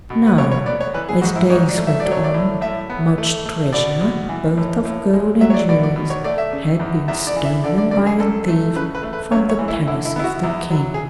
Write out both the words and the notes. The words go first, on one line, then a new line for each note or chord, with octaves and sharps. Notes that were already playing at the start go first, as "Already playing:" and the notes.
Now, as days went on, much treasure, both of gold and jewels, had been stolen by a thief from the palace of the King.
B2
B4
B2 C#5
C#5
B3 D5
C#5
E3 B4
G#4
G#2 F#4
E4
G#2 C#5
D5
A3
E5
D5
F#3
C#5
D5
A2
A2 E5
B3
A3
A3
B2 D5
B2
E3
A2
A2
G#3
F#3 E5
C#5
D5
B2 D5
D5
B2
C#5
A3 D5
E5
C#3
E2
E2 E5
D5
E3
E5
D3 D5
D5
F#2 D5
G#4
F#2 A4
A3
C#3 B4
B4
A3
B4
F#2 C#5
C#5
E3
E4
D3 E4
E4
B3 E4
F#4
E2 E4
F#3
G#4